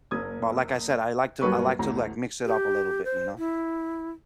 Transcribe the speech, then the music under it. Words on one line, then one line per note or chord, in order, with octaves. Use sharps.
But like I said, I like to I like to like mix it up a little bit, you know.
F#1 A#3 D#6 G#6
G2 F#3 A#3 B4 C#6
A1 D2 A#5
G4
C5
E4